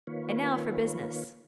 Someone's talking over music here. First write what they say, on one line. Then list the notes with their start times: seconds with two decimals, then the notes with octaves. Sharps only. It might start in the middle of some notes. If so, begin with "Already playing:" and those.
And now for business.
0.07 D#3 A#3 F4 B4 C#5